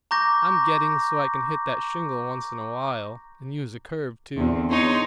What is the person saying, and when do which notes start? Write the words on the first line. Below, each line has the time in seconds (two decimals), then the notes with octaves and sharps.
I'm getting so I can hit that shingle once in a while, and use a curve, too.
0.11 A#5 C#6 D6 G6 A#6
4.37 E2 D3 C4
4.70 E2 D#4 C#5 C6